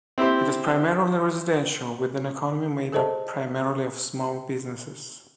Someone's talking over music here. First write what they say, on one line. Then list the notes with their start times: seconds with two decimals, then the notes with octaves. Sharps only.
It is primarily residential, with an economy made up primarily of small businesses.
0.18 C4 E4 G4 C5
2.92 G#4 A4 C5 D#5 A5